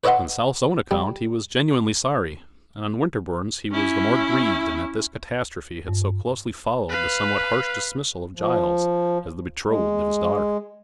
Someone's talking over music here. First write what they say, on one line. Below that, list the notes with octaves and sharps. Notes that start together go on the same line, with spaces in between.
On South's own account he was genuinely sorry; and on Winterborne's he was the more grieved in that this catastrophe had so closely followed the somewhat harsh dismissal of Giles as the betrothed of his daughter.
B4 C#5 D#5 E5 F#5 C6
G3
C#4 E4
G2
B4 F5
F3
G#3